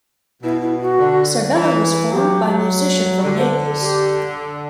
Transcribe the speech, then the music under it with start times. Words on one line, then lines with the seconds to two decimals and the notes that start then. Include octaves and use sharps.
Cervello was formed by musician from Naples.
0.42 B2 E4
0.61 E4
0.80 F#4
0.99 D3
1.55 E3
2.10 F#3 G4
3.23 D3 G4
3.38 C5
3.51 B4
3.66 A4
3.80 G4